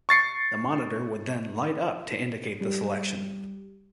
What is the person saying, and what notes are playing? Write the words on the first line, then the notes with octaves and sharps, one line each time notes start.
The monitor would then light up to indicate the selection.
C#6 A6 C7 C#7
G3